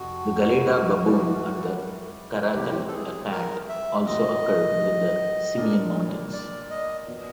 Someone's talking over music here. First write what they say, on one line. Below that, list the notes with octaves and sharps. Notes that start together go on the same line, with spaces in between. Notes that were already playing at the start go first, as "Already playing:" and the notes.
The gelada baboon and the caracal, a cat, also occur within the Simien Mountains.
Already playing: F2 C3 D#3 F#4
G#2 E3 G3
C#2 C3 E3 G3 C4 G4
A4
G#4
A#4
E5
A2 F#3 A3 D#5
A#2 G3 A#3 D4
D5
D#5
A#2 F#3 B3